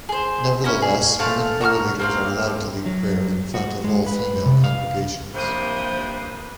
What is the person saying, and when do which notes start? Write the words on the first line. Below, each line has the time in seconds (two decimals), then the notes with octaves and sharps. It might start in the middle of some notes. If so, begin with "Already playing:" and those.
Nevertheless, women prayer leaders are allowed to lead prayer in front of all-female congregations.
0.09 G#4 C5
0.64 C#4 E4 A#5
0.82 G#4
1.19 A3 C4 F5 A5
1.61 F#4 A#5 C#6 F6
1.99 A#3 C4 F5
2.86 F#3
3.54 F#4
3.84 G#3
4.06 B4
4.46 C3
4.64 F5
5.34 G2 C3 F3 A#3 B4 C5 D#6 G6